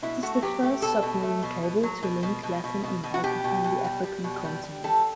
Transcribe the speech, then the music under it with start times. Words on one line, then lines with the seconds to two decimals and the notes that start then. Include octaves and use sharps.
It is the first submarine cable to link Latin America and the African continent.
0.02 B2 E4
0.23 A3 F#4
0.42 F#3 G4
0.63 A3 G4
0.82 B2 A4
1.02 B2
1.23 A3
1.43 B2
1.63 B2
1.83 F#3
2.03 B2
2.23 B2
2.43 B2
2.64 B2
2.83 B2
3.03 B2
3.14 F#4
3.24 B2 G4
3.44 B2
3.64 B2
3.84 G3
4.04 G3
4.24 B2
4.45 G3
4.64 G3
4.84 G3 A4